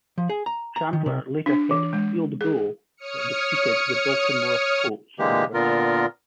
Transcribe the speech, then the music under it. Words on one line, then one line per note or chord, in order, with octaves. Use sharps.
Chandler later hit a field goal that defeated the Baltimore Colts in overtime.
F3
G#4
A#5
A#5
D#3
C3
D4
E3
G#3
G#4
C#5 D#6 F6 C#7
D3 E3 G#3 A#3 G4
A#2 D3 B3 F4 A#4